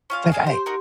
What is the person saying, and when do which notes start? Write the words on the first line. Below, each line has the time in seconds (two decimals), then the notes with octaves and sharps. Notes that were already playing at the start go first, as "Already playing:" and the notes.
like I
0.10 C#4 F4 F5
0.32 G#4 F5 G#5
0.47 G4 C5 C6
0.66 D#4 F#4 A#4